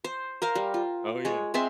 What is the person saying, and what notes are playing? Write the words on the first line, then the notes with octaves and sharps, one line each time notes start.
Oh, yeah.
C5
A#4 C5 F5
G3
F4
G#3 C#5
G#3 C4 E5 C6